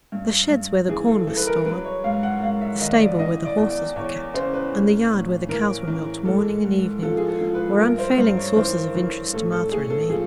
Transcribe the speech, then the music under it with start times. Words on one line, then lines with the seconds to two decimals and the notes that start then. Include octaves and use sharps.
The sheds where the corn was stored, the stable where the horses were kept, and the yard where the cows were milked morning and evening were unfailing sources of interest to Martha and me.
0.12 G2
0.50 G2
0.88 E3 G#4
1.08 A4
1.27 E3 A4
1.37 B4
1.47 A#4
1.65 F#3 B4
1.85 C#5
2.04 G#2 F5
2.23 F#5
2.42 G#2 F5
2.61 E5
2.80 D#3 D#5
2.92 D#5
2.99 D5
3.19 E3 D#5
3.45 D5
3.57 E2
3.70 D5
3.96 E2 C#5
4.34 C#3 C5
4.53 B4
4.73 A2
5.11 A2
5.49 E3 A#4
5.87 E3
6.25 G#2 A4
6.64 G#2
7.02 F3 A4
7.17 G#4
7.28 A4
7.41 F3
7.54 B4
7.68 A4
7.79 G2 A#4
7.98 C5
8.18 G2 C5
8.37 C#5
8.56 E3 C5
8.95 E3
9.33 A2 A4
9.52 A4
9.71 A2 G#4
9.90 A4
10.10 F3 G#4